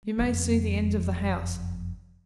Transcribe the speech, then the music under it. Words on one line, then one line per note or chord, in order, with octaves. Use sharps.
You may see the end of the house.
F#1 F2